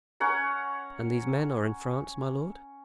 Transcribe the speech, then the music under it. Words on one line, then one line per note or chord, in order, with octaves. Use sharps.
"And these men are in France, my lord?"
C#4 C#5 F#5 A#5